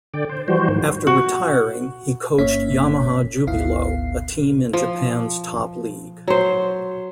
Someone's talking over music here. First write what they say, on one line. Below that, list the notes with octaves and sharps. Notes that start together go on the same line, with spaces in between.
After retiring, he coached Yamaha Jubilo, a team in Japan's Top League.
D3 D5 G5
C5
E3 F3 G3 F#4 C5
G#2 D#3 F3
F#4
G1 A#3 C#4 C#5 E5 B6
G#1 D2 B3 E4 F5 C7
F3
F#3 C5